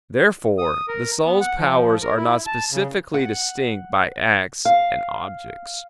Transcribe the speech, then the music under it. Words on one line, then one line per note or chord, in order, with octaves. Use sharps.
Therefore the soul's powers are not specifically distinct by acts and objects.
D#6
A#4
B3
F#5
F3
A#4
E4
A5
C#3
F#5
F5